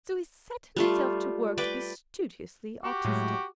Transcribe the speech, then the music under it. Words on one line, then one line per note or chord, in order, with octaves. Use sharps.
So he set himself to work to be studiously artistic.
G3 A3 F4
B4 D5 G5
F#4 G4 D6
A2 F#3 G#3